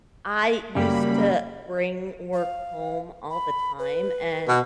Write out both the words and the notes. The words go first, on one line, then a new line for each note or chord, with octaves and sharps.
I used to bring work home all the time, and
F#2 C#3 G3 A#3 G4 B5
F5
B5
B4
B2